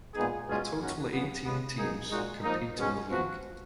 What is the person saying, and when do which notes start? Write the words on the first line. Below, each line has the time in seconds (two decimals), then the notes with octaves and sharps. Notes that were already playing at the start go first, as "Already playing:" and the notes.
A total eighteen teams compete in the league.
0.14 A#2 G#3 B3 D#4 G#4
0.47 B2 G#3 C#4 F4 G#4
0.80 F#2 D#3 A#3 C#4 F#4
1.12 C#3 F#3 B3
1.45 C#3 G#3 B3
1.78 B2 A#3 D#4 G#4
2.11 A#2 G#3 D#4 F#4
2.43 F3 A#3 D#4
2.76 B2 G#3 C#4 G#4
3.09 F3 B3 F#4